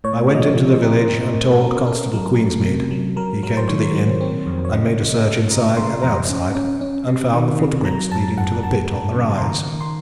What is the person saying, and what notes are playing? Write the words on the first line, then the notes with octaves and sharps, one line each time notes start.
I went into the village and told Constable Queensmead. He came to the inn, and made a search inside and outside and found the footprints leading to the pit on the rise.
A2 C#5
F3 D#5
C#5
F3
C5
C4 A#4
C4
A2
A4
C#4 A#4
A#4
C#4 A4
F#3 A#4
A3
C3
F#3
F#3 A#4
F#3 A#4
C5
D#3 C#5
F#3
C4
F2
C#5
C#3 D#5
C#3
A3
C#3 A#5
C#3 C6
F2 A#5
C#4
C#4
C#4
C3
D#3
C3
F#3 A#5
F#2 A5
F#2 F#5
F#2 A5
F#2
C#3
C6
D#3 A#5
D#3
C6